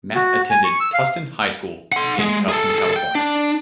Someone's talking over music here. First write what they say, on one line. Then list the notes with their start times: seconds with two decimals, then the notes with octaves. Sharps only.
Matt attended Tustin High School in Tustin, California.
0.15 F#4
0.50 G#5
0.64 C#6
0.80 E6
0.94 F5
1.92 F#5 C6
2.19 G#3
2.49 G#4 A4
2.96 G5
3.15 D4